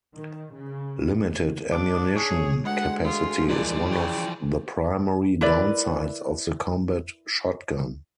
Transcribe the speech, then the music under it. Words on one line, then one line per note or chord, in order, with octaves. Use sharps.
Limited ammunition capacity is one of the primary downsides of the combat shotgun.
D#3
C#3
D4 D6
G#4 C#5
D2 G#3 F#5
F4
A#2 E3 F3 D5
C#3 G5
E4 A#4 B4 D5